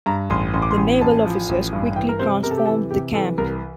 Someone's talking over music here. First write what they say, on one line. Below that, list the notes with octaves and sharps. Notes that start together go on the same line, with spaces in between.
The naval officers quickly transformed the camp.
G2 A#5
A1 C6
A1 C6
D6
C6
A1
A1 A5
F3
A1
G2
E3 G5
A#4
C3 C5
C3 A#4
A4
G4
E3 A4
C3 G4
E3 A4
C2 A#4